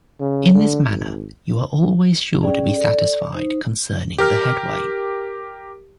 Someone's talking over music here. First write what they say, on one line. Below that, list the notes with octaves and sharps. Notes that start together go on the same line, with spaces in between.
In this manner, you are always sure to be satisfied concerning the headway.
C#3
D3
G#1
C#4 G#4 D5 G5
A4 D5
D#4 C5
G4 A#4 F6